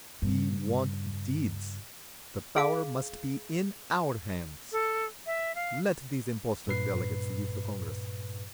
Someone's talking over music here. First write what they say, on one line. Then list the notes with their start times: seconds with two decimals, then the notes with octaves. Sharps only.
We want deeds--the Power must be in our hands!' Let these impostor delegates leave the Congress!
0.22 G2 C#3
2.56 G#4 F5
4.72 A4
5.26 E5
5.55 F5
6.67 G2 A#2 B4 C7